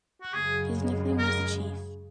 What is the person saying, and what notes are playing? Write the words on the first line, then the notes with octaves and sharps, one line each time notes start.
His nickname was "the Chief".
F#4
F#2 C#3 G#3 G#4
A#4